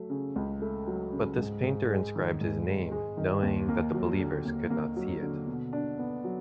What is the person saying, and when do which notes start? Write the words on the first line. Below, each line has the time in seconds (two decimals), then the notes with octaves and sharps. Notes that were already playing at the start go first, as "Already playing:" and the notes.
But this painter inscribed his name, knowing that the believers could not see it.
Already playing: F#3 A3
0.10 C#3
0.36 C#2
0.62 A3
0.87 F#3
1.12 C#3
1.38 G#2
1.63 G#2
1.89 G#3
2.15 D#3
2.41 G#2
2.66 G#2
2.92 G#3
3.17 D#3
3.42 D#2
3.69 A#3
3.94 F#3
4.19 D3
4.45 D#2
4.70 A#3
4.97 F#3
5.22 D3
5.48 B2
5.73 D4
5.99 B3
6.24 F#3